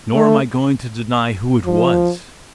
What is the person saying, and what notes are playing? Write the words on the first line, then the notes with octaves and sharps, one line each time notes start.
Nor am I going to deny who it was.
A3
F3